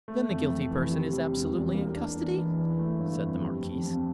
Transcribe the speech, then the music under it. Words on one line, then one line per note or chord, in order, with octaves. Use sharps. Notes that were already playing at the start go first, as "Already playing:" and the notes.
"Then the guilty person is absolutely in custody?" said the marquise.
A3
F2
F2
E3
C3
G3
E1
E2
A#3
D4
E2
E3
E3
A3
G1
F2
G3
F2
F2